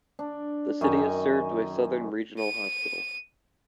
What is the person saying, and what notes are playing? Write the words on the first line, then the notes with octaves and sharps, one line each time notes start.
The city is served by Southern Regional Hospital.
D4
F#2 D#3 A#4 G#5
D#7